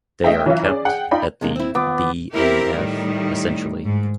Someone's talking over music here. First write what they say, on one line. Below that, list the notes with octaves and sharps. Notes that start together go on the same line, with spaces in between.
They are kept at the BnF essentially.
A3 D#5 E5 G5
E3 F#3 C#4 E4 F4
C#4 G#4 D5
G#4 F#5 G5
D#4 F4 D5 G5 B5
C3 G#3 A#3
C4 E4
D#2 B3 F4 D6
C4 E4 G4 A#4
A2 D#3 G3
G#2